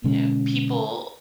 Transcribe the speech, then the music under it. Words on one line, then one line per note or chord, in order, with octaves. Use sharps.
You know, people
B2 D3 G#3 C#4